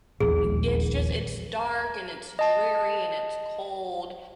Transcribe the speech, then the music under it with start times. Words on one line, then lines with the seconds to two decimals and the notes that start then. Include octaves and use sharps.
N yeah, it's just it's dark, and it's dreary, and it's cold.
0.20 D#1 A#1 E2 G#4
2.39 D#5 A5